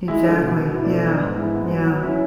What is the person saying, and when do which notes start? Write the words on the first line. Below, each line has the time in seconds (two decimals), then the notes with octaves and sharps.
Exactly. Yeah. Yeah.
0.08 G#3 E4
0.25 D3
0.41 B2
0.57 B2
0.73 B2 E4
0.84 D4
0.90 A3
1.06 B3 D4
1.22 G#2
1.38 G#3 E4
1.55 B3
1.71 F#3
1.86 F#3
2.03 C#4 E4